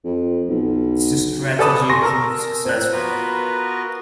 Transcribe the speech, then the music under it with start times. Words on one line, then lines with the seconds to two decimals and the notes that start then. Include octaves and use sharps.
This strategy proved successful.
0.04 F2
0.49 B1
1.59 A4 B4 D5 A5 B5 D#6
1.89 G#5 C6 C#6 A#6
2.02 A#4 A5 A#5 E6
2.65 C4 F#6
2.91 B3 F4 F#4 A#4 B4